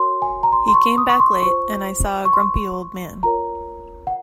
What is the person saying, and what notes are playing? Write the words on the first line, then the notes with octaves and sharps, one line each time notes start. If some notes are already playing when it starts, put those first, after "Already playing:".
He came back late, and I saw a grumpy old man.
Already playing: F#4 A#4 C#5 C6
G#5
A#5
C6
C6
C#6
D#6
C#6
C6
F4 C5 C#6
C#6
C6
F4 A#4 C#5 A#5
F#5